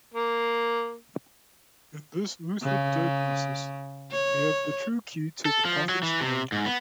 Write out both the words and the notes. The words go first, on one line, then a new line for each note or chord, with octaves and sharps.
In this lucid diagnosis we have the true key to the prophet's malady.
A#3
C#3
C#5
A4
F3
F#3
E3
C3
G#2
B3